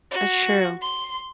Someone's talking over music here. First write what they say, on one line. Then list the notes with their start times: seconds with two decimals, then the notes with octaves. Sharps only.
That's true.
0.11 F#4
0.82 C6